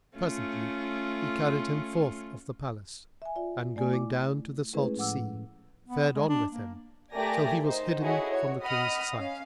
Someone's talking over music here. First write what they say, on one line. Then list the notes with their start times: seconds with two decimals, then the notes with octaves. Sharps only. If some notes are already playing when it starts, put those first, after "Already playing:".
Presently he carried him forth of the palace and going down to the salt sea, fared on with him, till he was hidden from the King's sight.
0.17 A3 C#4 F4
3.22 E5 G#5
3.36 F4 D5 E5
3.76 A3 D5 G#5
3.91 E4 D6
4.73 G#3 A3 C#4 E4 G#4 B4
4.97 A2 F3 F#5 D6 E6
5.88 B3
6.15 G#3
6.29 D4
6.52 A#3
7.15 A3 G4 A#4 D5 G#5 A#6
7.65 D#4 C5
8.02 E4 F#4 G#4 A4 C#5 D#5
8.30 F#4 C#5
8.63 D#5 F#5 B5 D#6 F6
9.14 C#4 F5